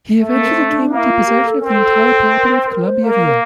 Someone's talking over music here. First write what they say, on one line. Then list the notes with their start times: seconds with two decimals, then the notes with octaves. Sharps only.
He eventually came into possession of the entire property of Columbiaville.
0.20 A3
0.33 A#3
0.45 C4
0.67 D4
0.80 D4
0.91 A#3 E4
1.09 F4
1.26 G4
1.43 A4
1.58 C4 A#4
1.73 A4
2.33 A#4
2.50 C5
2.67 A#4
2.85 C5
3.03 A#3 A#4
3.20 A#4